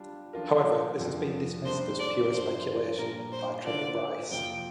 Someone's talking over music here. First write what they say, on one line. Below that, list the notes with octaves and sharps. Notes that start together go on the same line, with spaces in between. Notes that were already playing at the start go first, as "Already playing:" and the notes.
However, this has been dismissed as "pure speculation" by Trevor Bryce.
Already playing: G3 D4 F4
F3 D4 F4 A#4
F2 D3 F3
G3 A#3 D4 C5
D5
G2 F3 D4 C5
A#2 G3 A#3 D4 A#4
C5
D3 A#3 D4 F4 D5
F2 C3 A#3 F4 G5